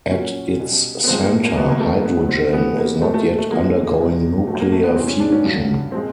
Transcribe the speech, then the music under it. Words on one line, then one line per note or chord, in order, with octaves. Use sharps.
At its center, hydrogen is not yet undergoing nuclear fusion.
A#2 F#3 C#4
B2 G3
B3
G2 D3 F3 G#3 C4
A#3
A#3
G#2 D#3 F#3 B3
A#3
A3
A#3
A2 F#3 B3
C4
E2 C3 E3 G3 B3
A#3
A#2 F3 G#3 A3
A3
A3
F2 D3 F3 G#3 A#3
E2 C3 F3 G#3
A#2 F#3 A3
A#3
A3
B3
E2 C3 E3 G3 C4
C#4
D4
C#4
G2 D3 F#3
A#2 F3 G#3 C4